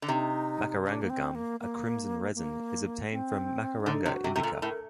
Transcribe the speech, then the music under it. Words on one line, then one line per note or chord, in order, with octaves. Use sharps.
Macaranga gum, a crimson resin, is obtained from "Macaranga indica".
D3
C3 D#4
D4
A#3
C4
A#3
A#3
A#3
C4
D4
D3 D#4
C3
F#4
C3
C3 A4
A#2
A2 A#4